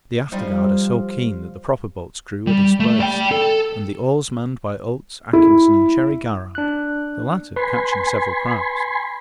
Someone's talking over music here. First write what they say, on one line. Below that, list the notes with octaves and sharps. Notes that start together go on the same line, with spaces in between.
The after-guard are so keen that the proper boat's crew was displaced and the oars manned by Oates, Atkinson, and Cherry-Garrard, the latter catching several crabs.
F3 G3 D#4
G3
A3
D5 G5
A4
E4
D4 F#6
B4 G#5 B5 C6